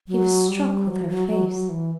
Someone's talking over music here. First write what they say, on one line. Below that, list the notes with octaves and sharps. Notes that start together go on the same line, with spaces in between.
He was struck with her face.
F#3
G3
F#3
F#3
F#3
F#3
E3